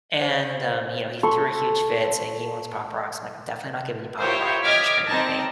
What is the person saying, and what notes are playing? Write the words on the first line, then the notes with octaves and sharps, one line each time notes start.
And, um, you know, he threw a huge fit saying he wants Pop Rocks. I'm like, "I'm definitely not giving you Pop Rocks 'cause you're screaming at me."
C5
A4 C6 C#6
E4 F4 G4 A#4 C5 C#5
D#5 D6 F6 G#6 B6 D7
C4 D#4 A5 A#6